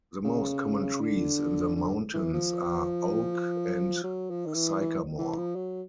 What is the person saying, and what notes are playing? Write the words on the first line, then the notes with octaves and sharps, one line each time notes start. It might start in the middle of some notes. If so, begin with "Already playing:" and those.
The most common trees in the mountains are oak and sycamore.
C#3
D3
D3
E3
F3
F#3
F3
D#3
E3
E3
E3
F3
F#3